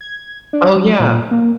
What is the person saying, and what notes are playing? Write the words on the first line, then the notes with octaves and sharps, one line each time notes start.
Oh yeah,
G#6
D4
F#3
A#2
A#3